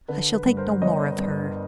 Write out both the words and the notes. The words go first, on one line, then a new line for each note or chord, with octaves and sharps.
"I shall think no more of her."
D3 B4
B4
G2
A#4 C5
G1 C#5 D#5
G2